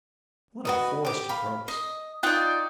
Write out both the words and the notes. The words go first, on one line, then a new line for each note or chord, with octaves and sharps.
What a forest of ropes!
F#4 B4 D#5
G4 D6
F5 B5
D#5
D#4 F4 D5 G5 F#6